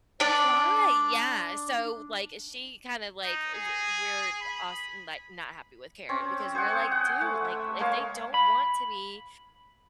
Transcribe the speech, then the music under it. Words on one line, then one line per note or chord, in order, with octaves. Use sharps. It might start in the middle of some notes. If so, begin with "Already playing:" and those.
eh, pry, yeah, so, like, she kind of, like, is weird, but als n like, not happy with Karen because we're, like, "Dude," like, "If they don't want to be,
D4 D5 A5
D#4
G#4
B5
C4 C#4
G#4 C5 D5 F#5
F#5
A3
E5
G#3 A#3 C#5 F5
B5